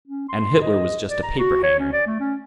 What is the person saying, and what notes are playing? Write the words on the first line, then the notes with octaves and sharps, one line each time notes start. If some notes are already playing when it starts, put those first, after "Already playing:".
"And Hitler was just a paper-hanger."
C#4
C6
D#5
D5
A#5
F#4
C#5
C#4
D5
A3
C#4